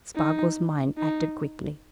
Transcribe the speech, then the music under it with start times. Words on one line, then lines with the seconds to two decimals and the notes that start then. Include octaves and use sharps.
Spargo's mind acted quickly.
0.16 D#4
0.97 D#4